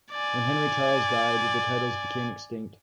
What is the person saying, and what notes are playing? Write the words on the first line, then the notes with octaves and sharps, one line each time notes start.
When Henry Charles died, the titles became extinct.
D5 G#5